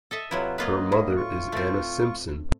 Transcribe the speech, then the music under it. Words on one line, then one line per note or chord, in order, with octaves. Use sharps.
Her mother is Anna Simpson.
A4 D#5 E5
C3 F#3 E4 F4 B4
F#3 A#3 F4 B4 D#5
A2
F4 C#6
A3 C4